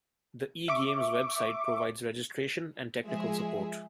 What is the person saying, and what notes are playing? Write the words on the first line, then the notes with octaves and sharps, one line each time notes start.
The eGames website provides registration and technical support.
E5 C#6 D6
F3 G#3 G#4 E5